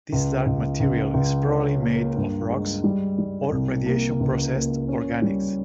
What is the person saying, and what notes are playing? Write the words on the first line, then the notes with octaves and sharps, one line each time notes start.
This dark material is probably made of rocks or radiation-processed organics.
C#2
C#2
C#2
C#2
C#4
A#3
G2
G#3
G3
G3
C2
A#3
C#2
A#3
C#4
G3